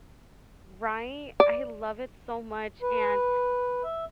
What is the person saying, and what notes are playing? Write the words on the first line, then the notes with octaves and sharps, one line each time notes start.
Right? I love it so much, and
D5
B4
E5